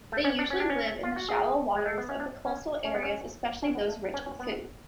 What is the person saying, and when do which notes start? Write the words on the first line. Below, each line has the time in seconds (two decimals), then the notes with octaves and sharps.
They usually live in the shallow waters of the coastal areas especially those rich of food.
0.12 A3
0.25 C#4
0.39 D4
0.50 C#4
0.60 D4
0.70 C#4
1.03 F4
1.16 F#4
1.29 G#4
1.75 G#3
1.86 A3
1.98 B3
2.09 C#4
2.20 D4
2.45 C#4
2.84 C#4
2.94 B3
3.03 C#4
3.62 C#4
3.75 B3
3.89 A3
4.14 C#4
4.26 C#4
4.40 B3